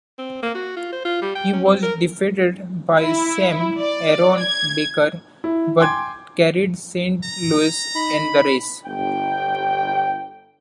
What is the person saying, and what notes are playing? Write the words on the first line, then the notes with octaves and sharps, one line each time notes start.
He was defeated by Sam Aaron Baker, but carried Saint Louis in the race.
C4
A#3
F#4
F4
C5
F4
G3
G5
C#4
C4
A#4
E4
D5
G#6
E4
G5 G#5 C6 D6 G#6
A#5
D#4 B5
G1 G5